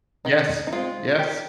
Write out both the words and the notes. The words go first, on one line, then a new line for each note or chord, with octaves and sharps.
Yes. Yes.
D#3 D#4
D#4
G#3 C4 F4
D#3 G4